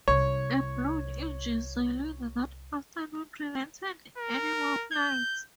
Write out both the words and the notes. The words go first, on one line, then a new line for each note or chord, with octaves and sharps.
A blown engine cylinder that afternoon prevented any more flights.
C2 C#5
A#4
G6